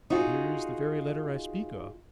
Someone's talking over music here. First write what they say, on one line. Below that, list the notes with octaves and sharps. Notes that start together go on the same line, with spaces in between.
'There is the very letter I speak of.
D#4 F4 F#4 G#4